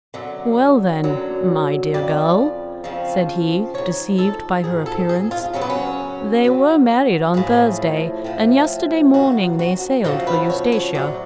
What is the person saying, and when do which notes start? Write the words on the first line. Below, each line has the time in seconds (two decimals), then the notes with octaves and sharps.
"Well then, my dear girl," said he, deceived by her appearance, "they were married on Thursday, and yesterday morning they sailed for Eustatia."
0.14 F#2 D3 F#3
1.04 F#2 D3 F#3
1.94 F2 C#3 F3 D5
2.84 F2 C#3 F3
3.74 G#2 F3 C#5
4.18 A4
4.64 G#2 F3 G#4
4.86 A4
5.09 G#4
5.31 F4
5.53 F#2 C#3 F#3 C#4
5.61 B3
5.70 C#4
6.44 F#2 C#3 F#3
7.34 A2 F3 G#4
8.24 A2 F3
9.14 F#2 C#3 F3 F#4
9.59 F#4
10.04 F#2 C#3 F3 F#4
10.27 B4
10.50 C#5
10.72 C#5
10.94 A2 F#3 D5